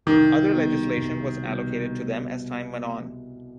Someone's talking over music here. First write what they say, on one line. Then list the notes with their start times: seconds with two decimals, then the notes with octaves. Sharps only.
Other legislation was allocated to them as time went on.
0.06 C2 D#3
0.51 B2 G3 B3
0.97 C2
1.43 B2 G3 B3